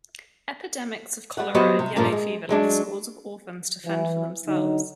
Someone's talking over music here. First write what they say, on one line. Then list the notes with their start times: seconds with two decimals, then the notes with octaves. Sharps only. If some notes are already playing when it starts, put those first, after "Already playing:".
Epidemics of cholera, and yellow fever left scores of orphans to fend for themselves.
1.37 G3 F#5
1.55 F#3 B3 F#4 G4 C5 D#5
1.79 C3
1.96 G2 A#2 F3 A#3 D4
2.12 G#3
2.49 F#3 G#3 D4
3.85 E3
4.47 D3 F#3 D#4